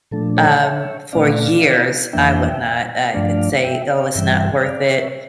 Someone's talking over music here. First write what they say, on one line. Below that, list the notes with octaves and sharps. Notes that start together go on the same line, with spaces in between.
Um, for years I would not, I would say, "Oh, it's not worth it,"
A#2 F3 A3 D4 A4
A4 C#5
C#5 E5
A#2 A3 C#4 D5 F5
F2 E3 A#3 D4 E5 G5
G2 F3 A3 D4 D5 F5
E5 G5
D5 F5
G2 E3 G3 E5 G5
D5 F5
C#5 E5